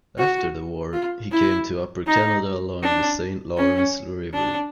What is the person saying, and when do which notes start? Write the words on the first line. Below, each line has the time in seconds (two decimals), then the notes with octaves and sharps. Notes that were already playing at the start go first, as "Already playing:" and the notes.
After the war, he came to Upper Canada along the Saint Lawrence River.
0.18 F#4
0.93 F4
1.31 E4
2.06 D#4
2.82 D4
3.57 C#4
4.33 D4